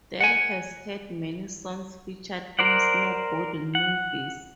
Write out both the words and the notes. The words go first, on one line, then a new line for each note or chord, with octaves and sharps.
Del has had many songs featured in snowboarding movies.
F#5 G#5
A#4 C5 D5 F#5
F#5